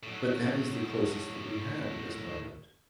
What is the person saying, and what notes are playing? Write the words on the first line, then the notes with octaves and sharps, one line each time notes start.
But that is the closest that we have at this moment.
A2 F#3